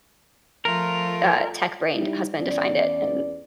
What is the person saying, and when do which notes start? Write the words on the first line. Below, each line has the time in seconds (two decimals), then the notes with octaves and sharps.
uh, tech brained husband to find it, and
0.65 F3 A3 F4 A#4
1.95 G3 D#4 E4
2.38 E2 C#4 D5